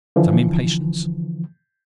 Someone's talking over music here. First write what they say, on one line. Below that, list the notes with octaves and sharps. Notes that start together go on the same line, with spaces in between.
Some impatience.
D3 E3 F3